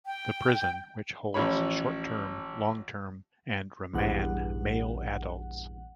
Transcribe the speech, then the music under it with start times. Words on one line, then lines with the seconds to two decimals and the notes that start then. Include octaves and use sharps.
The prison, which holds short-term, long-term and remand male adults.
0.06 G5
1.34 A1 F3 C#5 B5
3.94 A#1 E2 G2 F#5